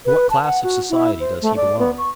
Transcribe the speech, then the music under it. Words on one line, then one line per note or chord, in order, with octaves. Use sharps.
"To what class of society does he belong?"
B4
A5
F#5
F#4
E4
C5
A3
D5
B3
C#6